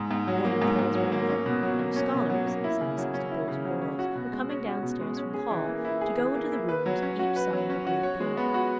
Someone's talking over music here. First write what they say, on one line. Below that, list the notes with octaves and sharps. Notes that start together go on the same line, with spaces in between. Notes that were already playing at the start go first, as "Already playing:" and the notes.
Morning prayers were over, and the scholars, some sixty boys and girls, were coming downstairs from the hall, to go into the rooms, each side of a great door.
Already playing: G#2
G#2
F#3
A#3
G#2
G#2
F#3
A#3
C#4
B2
F#3
A#3
C#4
B2
F#3
A#3
E4
C#3
F#3
C#4
E4
C#3
F#3
C#4
F#4
B2
G#3
C#4
F#4
B2
G#3
C#4
G#4
E3
A#3
E4
G#4
E3
A#3
E4
B4
F#3
C#4
F#4
B4
F#3
C#4
F#4
C#5
G#3
B3
F#4